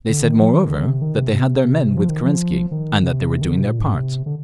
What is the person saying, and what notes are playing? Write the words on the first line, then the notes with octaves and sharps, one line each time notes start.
They said moreover that they had their men with Kerensky, and that they were doing their part....
D3
D#3
F3
D#3
D3
C3
D#3
C3
C3
F3
D#3
F3
D#3
C3
D#3
D3
C3
A#2
G#2
C3
D3